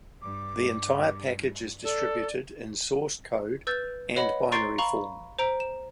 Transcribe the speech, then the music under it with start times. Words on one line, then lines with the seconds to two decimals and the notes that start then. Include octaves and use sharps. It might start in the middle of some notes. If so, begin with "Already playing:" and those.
The entire package is distributed in source code and binary form.
0.22 G2 D6
1.83 A4 D5
3.67 B4 E6 G6 A6
4.16 B4 C#5 D#5 F#5 B5
4.52 A#5 C6 C#6 A6 C7 D7
4.78 F5 A#5 B5 C#6
5.39 C5 A#5 D7
5.60 E7